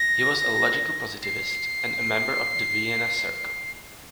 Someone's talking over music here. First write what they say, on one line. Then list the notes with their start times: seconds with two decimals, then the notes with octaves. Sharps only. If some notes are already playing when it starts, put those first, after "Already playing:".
He was a logical-positivist, and a member of the Vienna Circle.
Already playing: A#6
1.23 C7